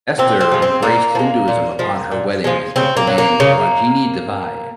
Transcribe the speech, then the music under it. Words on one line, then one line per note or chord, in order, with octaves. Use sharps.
Esther embraced Hinduism upon her wedding and took the name "Ragini Devi".
A#2 C4
C4
F3 G#3
C4
A#2 A#3
F3
G#3
A#2
F3 G#3
A#2
F3 G#3
C#3 C4
A#3
F#3
A#3
C#3